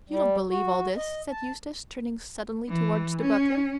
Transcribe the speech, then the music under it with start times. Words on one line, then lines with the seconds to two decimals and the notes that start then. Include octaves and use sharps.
"You don't believe all this?" said Eustace, turning suddenly towards the butler.
0.10 G3
0.49 F#4
0.96 D#5
1.31 A5
2.68 E3
3.22 C#4